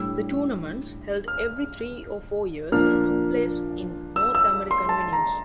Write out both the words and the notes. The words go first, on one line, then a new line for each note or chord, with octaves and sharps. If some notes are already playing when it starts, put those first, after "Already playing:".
The tournaments, held every three or four years, took place in North American venues.
Already playing: A2 G3 D4 E6
F6
A#2 F3 A#3 D4 F6
E6
E6
C6
A5
A#5